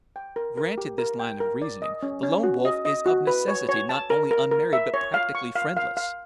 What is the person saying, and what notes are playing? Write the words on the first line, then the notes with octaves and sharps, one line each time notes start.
Granted this line of reasoning, the Lone Wolf is of necessity not only unmarried but practically friendless.
G5
A#4
A#4
G4
A#4
G5
A#4
D5
D#5
C#4
C#4
F#4
D#5
D#5
F#4
B4
C#5
C#5
A5
A#4
A#4
A#4
E5
C#5
F5
C#6
F5
F5
F5